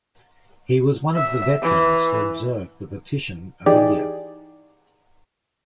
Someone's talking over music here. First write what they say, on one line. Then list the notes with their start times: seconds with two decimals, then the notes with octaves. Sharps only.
He was one of the veterans who observed the partition of India.
1.16 E5
1.62 E3
3.66 E3 D#4 G4 G#4 D5